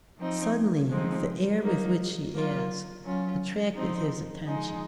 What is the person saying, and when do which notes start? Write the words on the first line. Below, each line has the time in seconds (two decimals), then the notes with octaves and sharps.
Suddenly the air with which she asked attracted his attention.
0.19 F3 C4 D#4
0.89 F3 G#3 C4 D#4
1.61 F#3 A#3 D#4
2.32 F#3 A#3 F4
3.04 F#3 C#4 F4
3.74 F3 C4 D#4
4.46 F3 G#3 D#4